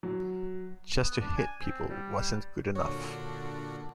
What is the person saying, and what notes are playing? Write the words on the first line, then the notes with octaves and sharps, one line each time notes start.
Just to hit people wasn't good enough.
F#3
B3
D4
G#5
C4
G3
A#2 D3 D4 F#4 C#5